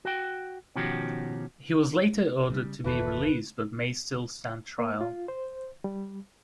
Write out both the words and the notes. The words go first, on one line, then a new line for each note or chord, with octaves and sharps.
He was later ordered to be released but may still stand trial.
F#4 G5
B2 D#3 F3 C#4 F#4 G4
C#3 F#3 G3
F#1 D#2 E3 A3 B4
A#3
F4
C5
G3